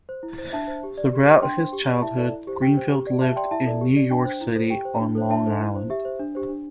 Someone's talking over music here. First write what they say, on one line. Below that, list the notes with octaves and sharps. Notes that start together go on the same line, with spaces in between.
Throughout his childhood, Greenfield lived in New York City, on Long Island.
C5
E4
C5
D4 E5 A5
C5
G4
D5
G4
C5
D4 G5 C6
C5
G4
D5
E4 E5 A5
A4 D5
E4
G4 C5
G4 G5
C5
G4
D5
G4 E5 A5
D5 G5 C6
E4 E5 A5
A4 D5
G4
D5
D4 G5
C5
E4
A4 C5
G4 G5
C5
D4
A4 C5
D4 E5 A5
A4 C5
E4
C5
G4 E5
C5
D4
G4 C5
D4